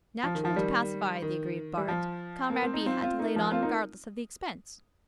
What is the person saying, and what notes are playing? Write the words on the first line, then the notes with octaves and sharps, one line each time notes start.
Naturally, to pacify the aggrieved bart., Comrade B. had to lay it on regardless of expense.
F3
D#3
F3
D#3 G3
D#3
G3
F3
A#3
C4
D#4
C4 F4
C4 F4
A#3 D#4
F3 A#3
C4 F4
A#3 D#4